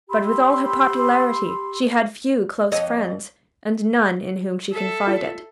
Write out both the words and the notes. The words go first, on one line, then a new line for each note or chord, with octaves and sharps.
But with all her popularity she had few close friends, and no one in whom she confided.
G4 B5 C6 E6
F2 C#5 D#5
A4 E5
F4